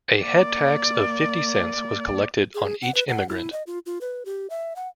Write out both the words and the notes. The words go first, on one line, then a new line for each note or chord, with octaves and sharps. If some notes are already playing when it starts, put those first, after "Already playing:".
A "head tax" of fifty cents was collected on each immigrant.
A#3 D5
G#4
F#5
B4
F#5
E4
D#5
F4
F4
B4
G4
E5
F#5